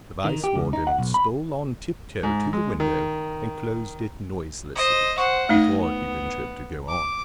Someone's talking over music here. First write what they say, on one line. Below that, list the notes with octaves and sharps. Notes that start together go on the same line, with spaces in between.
The Vice-Warden stole on tip-toe to the window, and closed it noiselessly, before he ventured to go on.
D#3
G4
C#2
D#4
F#5
B1
B5
G#2
G#3
D#3
C5 D#5
C5 F#5 C#6
A3 D#4 D#5
B3
D6